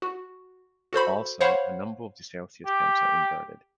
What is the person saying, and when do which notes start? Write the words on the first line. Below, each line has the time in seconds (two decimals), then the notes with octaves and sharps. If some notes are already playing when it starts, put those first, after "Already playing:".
Also, a number of the celsius temps are inverted.
0.02 F#4
0.93 F#4 A4 C5 B5
1.41 C5 C#5 F5 F#5 B5
2.66 G4